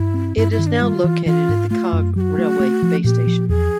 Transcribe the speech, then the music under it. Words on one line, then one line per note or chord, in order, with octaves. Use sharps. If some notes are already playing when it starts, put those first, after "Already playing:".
It is now located at the Cog Railway Base Station.
Already playing: G2 E4
C4
G2 E4
E4
D#3
D4
G3 F4
E3
E3 F4
G#2
A3 F4
F#2
F#3 F#4 G4
A3
A3
F3
A#2 G4
F3
E2 G#4